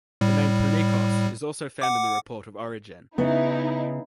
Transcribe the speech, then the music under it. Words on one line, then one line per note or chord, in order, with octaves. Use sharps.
The name Prunikos is also found in the report of Origen.
A2 G3
F#5 D6
C#3 B3 D#4 E4